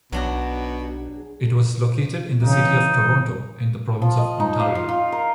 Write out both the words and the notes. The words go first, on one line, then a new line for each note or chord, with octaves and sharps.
It was located in the City of Toronto, in the province of Ontario.
B1 B2 F#3 D4 F#4
C#3 E3 D#4
E3
F3
D#5
D#4
F5
F4
F4
A#4